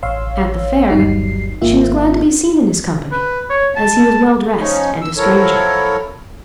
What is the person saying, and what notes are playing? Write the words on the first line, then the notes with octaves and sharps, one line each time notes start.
At the Fair she was glad to be seen in his company as he was well dressed and a stranger.
A1 C#5 F5 C6 E6
G1 D#2 F#3 G3 D#4 C7
G#1 A#3 F4 E5
B4
C#5
A5
F3 C#4 D#4
E6
F3 F#3 E4 A4 A#4 C#5